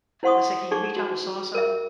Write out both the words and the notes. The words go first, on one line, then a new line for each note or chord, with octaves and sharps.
I said, "Can you reach out to so-and-so?"
E4 C5 F#5 C6 C#6 D#6
D#4 G#4 C#6 D6
F#4
A#4 E5